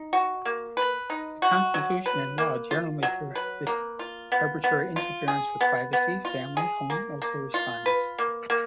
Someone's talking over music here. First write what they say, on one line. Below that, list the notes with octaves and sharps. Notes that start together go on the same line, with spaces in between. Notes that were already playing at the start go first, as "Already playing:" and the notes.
The constitution and law generally prohibit arbitrary interference with privacy, family, home, or correspondence.
Already playing: D#4
F#4
A#3
B4
D#4
F#4
F#3
B4
A#3
F4
F#3
B4
A#3
F4
B3
B3
F4
G#4
B3
B3
F4
G#4
A#3
A#3
F4
B4
A#3
A#3